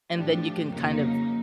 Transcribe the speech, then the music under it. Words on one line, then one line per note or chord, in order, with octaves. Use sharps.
and then, you can kind of
A2 F3 A3 D4 G4
F2 C#3 F#3 A#3 D#4